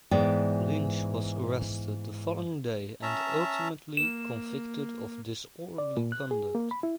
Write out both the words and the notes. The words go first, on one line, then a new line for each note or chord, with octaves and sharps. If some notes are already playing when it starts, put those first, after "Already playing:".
Lynch was arrested the following day and ultimately convicted of disorderly conduct.
G#2 E3 B3 D5 G5
C#4 E5 A5 A#5
A#3 E7
D5
A#2
F#6
G#4
A#3
B5
E4